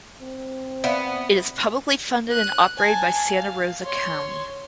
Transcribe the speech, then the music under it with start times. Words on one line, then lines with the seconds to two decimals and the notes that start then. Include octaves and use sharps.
It is publicly funded and operated by Santa Rosa County.
0.20 C4
0.84 B3 D5 E5 F5
2.31 F#6 D#7
2.77 G#5 A5
3.31 F5
3.86 C#5 C6